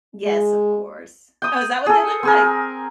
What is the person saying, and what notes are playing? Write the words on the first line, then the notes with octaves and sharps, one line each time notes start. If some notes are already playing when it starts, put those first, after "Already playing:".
Yes, of course. Oh, is that what they look like?
G#3
G5 D#6
G#4 A4
C4 G#4 A#4